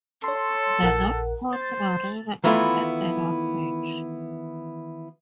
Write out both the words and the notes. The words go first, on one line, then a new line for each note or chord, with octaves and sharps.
The North Point Marina is at the north beach.
A4 C#5 C6
A#1 A#4 F#5
C5 A6
D#3 E3 A3 B3 E4 F4